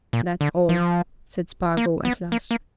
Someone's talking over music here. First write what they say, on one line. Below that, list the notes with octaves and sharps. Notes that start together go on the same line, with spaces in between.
"That's all," said Spargo at last.
A#2
D3
F3
A#3
B3
A#3
A#3